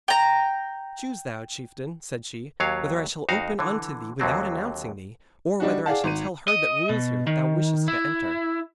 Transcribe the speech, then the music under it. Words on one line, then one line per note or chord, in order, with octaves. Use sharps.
'Choose thou, chieftain,' said she, 'whether I shall open unto thee without announcing thee, or whether I shall tell her that rules here that thou wishest to enter.'
G5 A#5
D#2 F#3 C#5 F5
F2 D#4 F#4 F5
D3 E3
D#2 D3 F#3 C4
G3 D4 D#4 F#4
G#4 D5 F5 F#5 A5
G#1 D#7
D#5
B2
D#3
E4